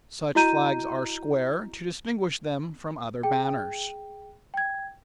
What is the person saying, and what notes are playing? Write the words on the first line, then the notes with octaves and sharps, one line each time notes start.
Such flags are square, to distinguish them from other banners.
E4 F#4 D#5 A#5 G6 D#7
G#4 G5
G5 G#6